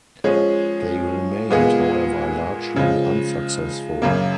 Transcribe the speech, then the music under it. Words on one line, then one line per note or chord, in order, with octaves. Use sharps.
They remained, however, largely unsuccessful.
F3 G#3 C#4 G#4
A#2 G#3 B3 F4 G#4
C#3 F3 G#3
F#2 C#3 F#3 A#3